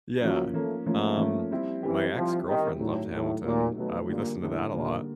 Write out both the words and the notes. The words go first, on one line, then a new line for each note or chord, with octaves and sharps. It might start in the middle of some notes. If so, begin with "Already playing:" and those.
Yeah, um, my ex girlfriend loved Hamilton. Uh, we listened to that a lot.
F3 F#3 A#3 C#4
F3 A3 A#3 C#4
F3 A3 A#3 C#4
F3 A#3 C#4
G3 C4 E4 G4
E3 G3 C4 E4 G4
F3 G3 C4 E4 G4
D#3 G3 C4 E4 G4
A2 D#3 F#3 A3
A2 D#3 F#3 A3
A#2 D#3 F#3 A3
B2 D#3 F#3 A3
A#2 D3 G3 A#3
A2 D3 G3 A#3
A#2 D3 G3 A#3